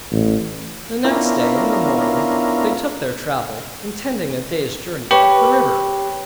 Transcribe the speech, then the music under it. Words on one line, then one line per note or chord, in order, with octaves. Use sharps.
The next day in the morning they took their travel, intending a day's journey up the river.
A1
B3 C#4 D4 E4 F4 A#4
G4 B4 C#5 G5